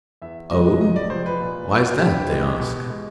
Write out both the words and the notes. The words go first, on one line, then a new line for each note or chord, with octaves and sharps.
"Oh! why's that?" they ask.
E2 E5
C3 E3 G#3 D#5
E2 D#5
D5
C3 F3 G#3 C5
B4
A#2
F#3
G2 G4
E3 G#3
B2
G#3